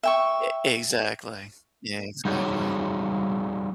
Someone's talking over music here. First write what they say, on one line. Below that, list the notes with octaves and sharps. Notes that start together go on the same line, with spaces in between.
Ex exactly. Yeah, exactly.
E5 G5 C#6
G3 D#4 F#4 G#4 C#5